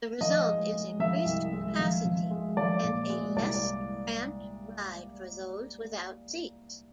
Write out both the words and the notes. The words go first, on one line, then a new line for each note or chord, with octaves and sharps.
The result is increased capacity and a less cramped ride for those without seats.
F3 D#5
G#3
G#3
F3 E5
C2
G#3
F3
F3
G#3
F3 D5
A#2
G#3
C2 D5